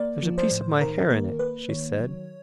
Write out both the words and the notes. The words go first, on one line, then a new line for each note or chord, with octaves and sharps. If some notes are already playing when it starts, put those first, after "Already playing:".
"There's a piece of my hair in it," she said.
Already playing: A#3 D5
F3
C5
A2
D#3 A#4
A#3 A#4
A#3 B4
D#3 C#5
F#3